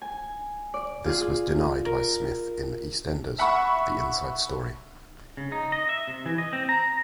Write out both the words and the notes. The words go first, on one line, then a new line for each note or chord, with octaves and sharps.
This was denied by Smith in "EastEnders: The Inside Story".
G#5
D5
F4 G#4
A#4
E5 F#5 B5 C#6
C#3
D#4
D#5
E5
C3
E3
D#5
C4
A#5